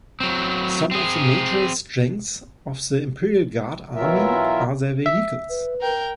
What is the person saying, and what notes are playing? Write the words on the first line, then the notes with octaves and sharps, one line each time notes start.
Some of the major strengths of the Imperial Guard army are their vehicles.
F#3 C4
C4 G#4
B2 E3 F#3 F4 A#4 E5
E5
B4
A#4 G5